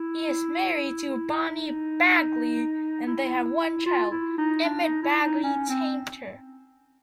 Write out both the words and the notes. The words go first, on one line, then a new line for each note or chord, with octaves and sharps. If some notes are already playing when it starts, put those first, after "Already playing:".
He is married to Bonnie Bagley and they have one child, Emmet Bagley Tainter.
Already playing: E4
D#4
E4
F4
E4
D#4
D4
D#4
E4
D#4
C#4
C4